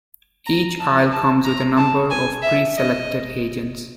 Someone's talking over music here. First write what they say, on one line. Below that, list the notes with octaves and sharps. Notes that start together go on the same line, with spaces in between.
Each isle comes with a number of pre-selected agents.
A#5
A5
A5
A#5
A5
G#5
E5
D#5